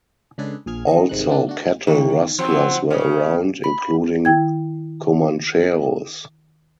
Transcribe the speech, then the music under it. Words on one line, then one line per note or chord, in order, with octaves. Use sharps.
Also, cattle rustlers were around, including Commancheros.
C#3 G#3 D4 G#4 A4 B4
A#1 F3 G#4 F6 G#6
D#3 D#5
G1 C3 D#3 G#3 D#4 F#6
A#3 C4 D4
A3 D4 F#4
D#3
F3 F#3 C4
C#3
B5
D#3 E4 G5 G#6